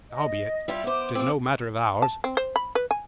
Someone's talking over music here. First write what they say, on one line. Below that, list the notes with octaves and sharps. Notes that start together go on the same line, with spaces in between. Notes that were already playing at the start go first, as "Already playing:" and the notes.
Howbeit, 'tis no matter of ours.
D#5
G3 E4 F4
B3 C5 D6
F3 C4
A5
C4
C5
B5
B4
G#5